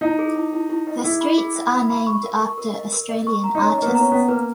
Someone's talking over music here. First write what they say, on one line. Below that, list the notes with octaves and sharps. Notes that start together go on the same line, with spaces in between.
The streets are named after Australian artists.
D#4 E4
G#4
E4
E4
E4
D#5
E4 G#4
B5
G#4
E5
B5
B5
C#6
A#4
C#6
A#4
D#5
A#4
D#5
C#6
A#5
D#4
C#4 A#5
A#3 D#5
B3
A#5
C#4
B3 C#4
A#3 B4